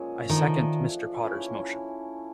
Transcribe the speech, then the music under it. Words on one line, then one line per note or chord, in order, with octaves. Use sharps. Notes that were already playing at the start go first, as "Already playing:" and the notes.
I second Mr. Potter's motion.
Already playing: A#2 F3 G#3 C#4
D#3 F3 A3 D4
E3 A3 C#4 E4